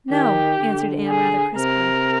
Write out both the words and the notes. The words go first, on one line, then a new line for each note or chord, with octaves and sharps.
"No," answered Anne, rather crisply.
D#3 G4
D3
G#4
C3 A#4